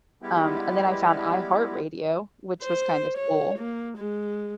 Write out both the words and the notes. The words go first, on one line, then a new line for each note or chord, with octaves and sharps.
Um, and then I found iHeartRadio, which was kind of cool.
G3 G#3 B3 E4 G4
C5
C#5
A#3
G#3